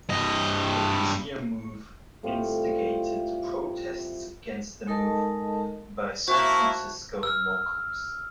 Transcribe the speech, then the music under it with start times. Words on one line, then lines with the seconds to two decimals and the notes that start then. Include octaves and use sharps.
The museum move instigated protests against the move by San Francisco locals.
0.09 G2 D#5
2.23 A2 G3 C4 F4
4.87 G#3 D#4 A4 A#4 D#5 A5
6.28 A#3 E4 F#4 C5 E5 A5 C#6
7.23 E6 F6